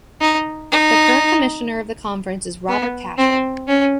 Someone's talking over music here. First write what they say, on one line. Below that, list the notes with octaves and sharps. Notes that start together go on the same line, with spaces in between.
The current commissioner of the conference is Robert Cashell.
D#4
D#4
B3
C4
C#4